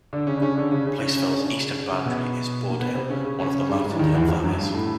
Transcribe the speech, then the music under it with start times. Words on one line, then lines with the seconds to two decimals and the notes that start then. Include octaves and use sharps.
Place Fell's eastern boundary is Boredale, one of the Martindale valleys.
0.13 D3 D4
0.27 C#3 C#4
0.37 D4
0.41 C#3 C#4
0.57 D3 D4
0.71 C#3 C#4
0.86 C#3 C#4
1.01 C#3 C#4
1.16 C#3 C#4
1.32 C#4
1.39 D4
1.46 C#3 C#4
1.91 C#3 C#4
2.06 B2 B3
2.70 A#3
2.80 B2 B3
2.94 C3 C4
3.10 C#3 C#4
3.24 C#3 C#4
3.40 C#3 C#4
3.55 C#3 C#4
3.69 G2 G3
3.84 G#2 G#3
3.93 E3
3.99 D#2 D#3
4.14 E2 E3
4.29 F2 F3
4.44 F#2 F#3
4.58 G2 G3
4.74 A2 A3